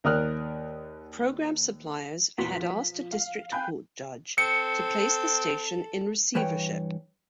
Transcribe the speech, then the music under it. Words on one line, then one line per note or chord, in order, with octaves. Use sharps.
Program suppliers had asked a district court judge to place the station in receivership.
D#2 A#4 D5 D#6 F6 F#6
E2 A#2 F#4 C6 B6
F3
F5
F5 G5 G#5 B5 F#6 G6
C4 A4 C#7
G2 E3 B4 C#5 G5